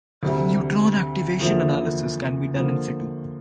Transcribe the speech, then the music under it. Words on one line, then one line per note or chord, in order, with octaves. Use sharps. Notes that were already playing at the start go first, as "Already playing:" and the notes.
Neutron activation analysis can be done in situ.
D2 C3 G3
E2 D3 F3 A#3 E4
D3 F3 A#3 F4